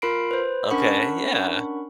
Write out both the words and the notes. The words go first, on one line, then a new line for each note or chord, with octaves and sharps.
Okay, yeah.
F4 A#4 B5 C7 D7
B4 C5
C#4 D4 A#4 F#5 B5 C#6